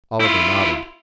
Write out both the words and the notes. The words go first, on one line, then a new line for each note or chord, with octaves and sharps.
Oliver nodded.
E4 F4